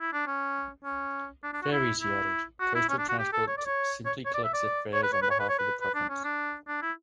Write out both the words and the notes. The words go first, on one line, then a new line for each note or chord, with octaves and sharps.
Ferries." He added, "Coastal Transport simply collects the fares on behalf of the province.
E4
D4
C#4
C#4
D4
D4
F#4
E4
E4
F#4
E4
C#4
D4
F#4
G4
A4
C#5
D5
C#5
C#5
C#5
D5
E5
D5
C#5
B4
C#5
B4
C#5
B4
C#5
B4
B4
D4
C#4
D4
D4
E4